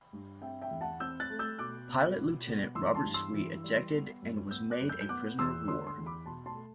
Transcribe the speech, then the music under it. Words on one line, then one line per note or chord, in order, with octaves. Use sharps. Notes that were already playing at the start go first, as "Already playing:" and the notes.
Pilot Lieutenant Robert Sweet ejected and was made a Prisoner of War.
G2
C4 E5 G5
E5 G5
E2
F#5 A5
C4 E6 G6
F#6 A6
A3
E6 G6
B2 D6 F#6
B3
B2
B3
E3 C6 E6
A5 C6
G2
C6 E6
E3
G3
B3
F#2
B3 E6 G6
D6 F#6
F#2
E6 G6
G6
B3 D6 F#6
E2 C6 E6
D3 C6 E6
C6 E6
E2
B5 D6
B2 A5 C6
A5 C6
A3